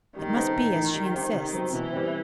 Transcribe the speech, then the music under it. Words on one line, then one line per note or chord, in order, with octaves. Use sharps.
It must be as she insists.
D#3 G3
B3 D#4 A4 C5
A2
E3 A3 D#4 A4
G3
D#4 G4 C5
C3 D#3
F#3 C4
B2 E3
G3 C4